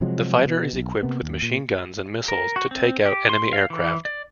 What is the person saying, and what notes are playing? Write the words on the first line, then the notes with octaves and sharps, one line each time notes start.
The fighter is equipped with machine guns and missiles to take out enemy aircraft.
C3 F3 F#3 G#3
B2
B1
C3 A#3 B3
D#2
A#2
A#4
F#4
C4
G4
C6
F5
E3
D5